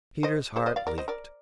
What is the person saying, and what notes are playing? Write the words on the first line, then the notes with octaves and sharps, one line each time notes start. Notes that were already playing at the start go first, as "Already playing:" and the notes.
Peter's heart leaped.
C5 D#5
G#4 C5
C5 D#5
D5 F5
A#4 D5
C5 D#5
A#4 D5